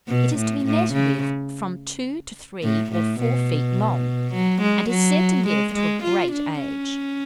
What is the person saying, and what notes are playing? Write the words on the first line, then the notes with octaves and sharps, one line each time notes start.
It is to be met with from two to three or four feet long, and is said to live to a great age.
B2
A2
A2
C#3
A2
A2
B2
F#3
G#3
F#3
G#3
G#3
F4
D4
C#4